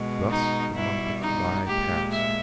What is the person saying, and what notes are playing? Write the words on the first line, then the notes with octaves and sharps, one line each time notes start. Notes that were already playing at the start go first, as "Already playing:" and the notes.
Thus the month of July passed.
Already playing: B2 G#3
D#4
B2 G3 E4
D#4
A#2 G#3 G4
E5